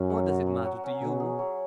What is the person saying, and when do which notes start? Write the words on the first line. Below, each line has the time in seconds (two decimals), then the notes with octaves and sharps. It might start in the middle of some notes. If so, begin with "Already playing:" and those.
"What does it matter to you?"
Already playing: F#2 C#4
0.10 F#3
0.28 F#4
0.47 F#3
0.65 F#3
0.84 C#4
1.01 B2 F#3
1.20 G#4
1.39 F#3